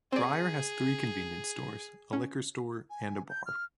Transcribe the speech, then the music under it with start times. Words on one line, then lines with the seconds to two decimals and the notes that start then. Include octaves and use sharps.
Briar has three convenience stores, a liquor store and a bar.
0.12 C4 G#4 D5
2.13 C#4
2.90 G#5
3.29 G6
3.46 F6